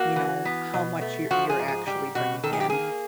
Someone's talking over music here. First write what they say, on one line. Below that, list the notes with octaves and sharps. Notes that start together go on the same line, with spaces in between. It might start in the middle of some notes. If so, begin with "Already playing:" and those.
you know, how much you're you're actually bringing in,
Already playing: A#3 F#4
E3
B3
B2
A3
F3 F#4
G#4
G#2
G#4
G3 G4
B2 F#4
D#3 A4
G#4
G4
A#3 G#4